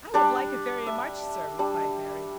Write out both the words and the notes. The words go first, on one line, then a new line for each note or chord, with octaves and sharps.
"I would like it very much, sir," replied Mary.
G3 D4 D5
E5
G3 D4